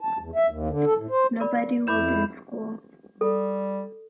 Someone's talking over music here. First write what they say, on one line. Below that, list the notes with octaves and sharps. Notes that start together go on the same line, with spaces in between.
Nobody would in school.
A5
E2
E5
D#2
D3
A4
A2
C5
A#4 D5 B5
F2 E4 B4 B5 D6 G6 E7
G3 A4